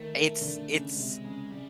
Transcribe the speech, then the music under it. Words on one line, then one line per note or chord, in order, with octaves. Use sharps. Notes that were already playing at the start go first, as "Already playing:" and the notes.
It's it's
Already playing: D#3 A3
D#3
D3
C#3
C3 G#3
C#3
C#3 G3